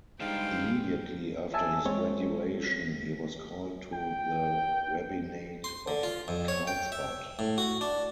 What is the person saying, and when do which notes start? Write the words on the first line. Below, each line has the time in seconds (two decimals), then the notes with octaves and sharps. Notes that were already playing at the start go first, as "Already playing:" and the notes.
Immediately after his graduation he was called to the rabbinate of Carlsbad.
0.20 G#2 D3 G3 F5 G5
1.54 E5 G#5 A5 E6
1.85 G#3 C4 C#5
3.93 G5
5.64 C6
5.88 D3
6.03 F4
6.28 F2
6.48 C#5
6.67 G5
6.92 E5
7.39 A2
7.58 F#4
7.81 D4